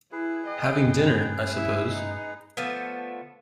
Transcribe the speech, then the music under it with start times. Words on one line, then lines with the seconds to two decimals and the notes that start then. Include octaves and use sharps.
Having dinner, I suppose.
0.12 E4 G#4 B4
0.46 D#5 G5
0.86 G2 A3 C#4
1.54 E4 E5
1.88 D#4
2.57 D3 F3 A3 B3